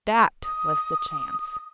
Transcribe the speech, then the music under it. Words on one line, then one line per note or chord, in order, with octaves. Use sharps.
THAT was the chance!
D#6